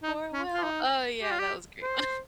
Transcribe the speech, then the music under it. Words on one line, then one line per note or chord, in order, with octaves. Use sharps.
for well. Oh, yeah, that was a great one.
D#4
C#4
F4
D#4
G4
F4
G4
C5